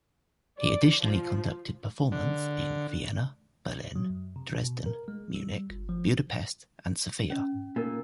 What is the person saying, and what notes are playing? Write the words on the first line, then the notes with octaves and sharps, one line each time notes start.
He additionally conducted performance in Vienna, Berlin, Dresden, Munich, Budapest and Sofia.
D5
F3
D3
F#3
F#2
C3
B2
A#4
G#3
G3
G1
F3
C#4
A#2 D#4 A#4